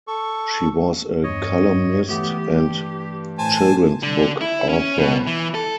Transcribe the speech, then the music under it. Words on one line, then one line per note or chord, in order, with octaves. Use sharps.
She was a columnist and children's book author.
A4 C#6
E2 G2 C#5 D#5
E3 A3 B3 G4
G2 G4
A2 C5 G#5 A5
D3
E4
C#4
B2
E3
A4